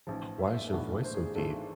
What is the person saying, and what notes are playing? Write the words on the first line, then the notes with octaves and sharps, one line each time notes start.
"Why is your voice so deep?"
A1 G#2 F3
E5
F5
E5
B1 A2 E3 B3 D4
C5
G#4
G#4
G#1 G#2 E3 G#3 D4 A4